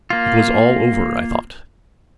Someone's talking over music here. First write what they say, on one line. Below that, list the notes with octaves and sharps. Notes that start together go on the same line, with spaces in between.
It was all over, I thought.
A#3 F4